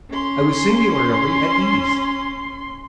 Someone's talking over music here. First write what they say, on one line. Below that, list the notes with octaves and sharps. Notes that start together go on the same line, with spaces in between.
I was singularly at ease.
C#4 C6